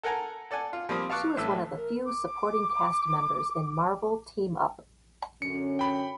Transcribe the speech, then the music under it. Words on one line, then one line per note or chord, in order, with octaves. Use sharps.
She was one of the few supporting cast members in "Marvel Team-Up".
A4 A#4 F#5 G#5 A#5
A4 D5 F#5 G#5
F4
F3 G3 A#3 C4 B5 D#6
F5 A5 C#6 D6 F#6
A1 A2 A3 E6
A#4
D6
F#2 D3 C#4 C#7
G5 B5